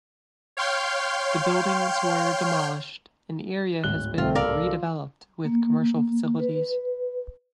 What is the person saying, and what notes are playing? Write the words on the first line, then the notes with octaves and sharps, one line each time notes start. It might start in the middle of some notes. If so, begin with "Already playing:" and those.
The buildings were demolished and the area has been redeveloped with commercial facilities.
C#5 F5 G5 C6 F6 G6
D1 G#1 F#6 G7
C2 A3 C4 F4
A4 A#4 D5 F5
F4
A#3
B4